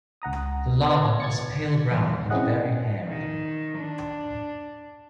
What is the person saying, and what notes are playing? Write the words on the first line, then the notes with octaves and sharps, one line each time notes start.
The larva is pale brown and very hairy.
C#2 F#5 A#5 D#6
B4 D#5 F5 A#5 G#6
G#6 A6 C#7
E2
C4 C#4 E4 G#4 D#5 F#5
D#3
D4